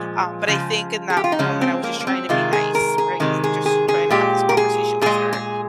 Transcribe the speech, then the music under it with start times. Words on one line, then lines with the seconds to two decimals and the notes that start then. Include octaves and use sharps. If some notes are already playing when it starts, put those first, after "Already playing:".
um, but I think in that moment, I was just trying to be nice, right? Like just trying to have this conversation with her.
Already playing: A#2 F3 G#3
0.48 C#3 F3 G#3
1.10 G#4
1.17 G4
1.24 F4
1.32 D#4
1.39 C#3 F3 G#3 C#4
1.61 C4
1.83 A#3
2.00 A#3
2.07 C4
2.29 C3 D#3 G#3 F4
2.53 G#4
2.75 A#4
2.98 G#4
3.20 C3 D#3 G#3
3.44 G#4
3.66 G#4
3.88 G#4
4.11 A#2 G#3 G4
4.49 A#4
4.57 G#4
5.01 A#2 G#3 G#4
5.33 G#4